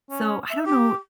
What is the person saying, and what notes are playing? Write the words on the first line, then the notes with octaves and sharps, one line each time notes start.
So I don't know
C#4
E5
G4 D6